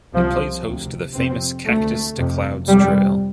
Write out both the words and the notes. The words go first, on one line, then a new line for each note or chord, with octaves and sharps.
It plays host to the famous Cactus to Clouds Trail.
C2 C3 F3
D2 C3
F2 C3 C4
D2 C3 A3
F2 C3
F2 C3 G3